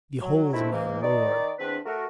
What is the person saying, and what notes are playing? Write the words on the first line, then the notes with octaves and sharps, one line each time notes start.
Behold me a lord!
F#3
C3 D#3 A3 C4 D4 E4
C#2 G#2 E3 A#3
D#3 D#4 D5
E2 C4 D4 B4
A3 F#4 A#4